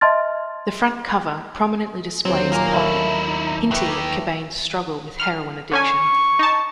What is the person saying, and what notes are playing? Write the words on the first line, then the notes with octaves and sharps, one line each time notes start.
The front cover prominently displays a poppy, hinting at Cobain's struggle with heroin addiction.
D#5 E5 A5 C6 F6 A6
D#2 F#3 C4
A#2 A#3 A#4 D5
A3 D#4 E4
D#3 A3 G4 B4
F6
D3 C#4 G#5 C#6
D#4 A5